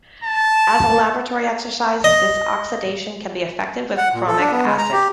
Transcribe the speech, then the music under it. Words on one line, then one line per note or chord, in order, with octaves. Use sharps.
As a laboratory exercise, this oxidation can be effected with chromic acid.
A5
D#5
F#5
A#2
A4
D4
B3
G#3
A#5
G4